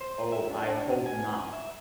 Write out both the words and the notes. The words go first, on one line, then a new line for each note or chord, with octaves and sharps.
Oh, I hope not.
C5
E5
D4
G#5
E5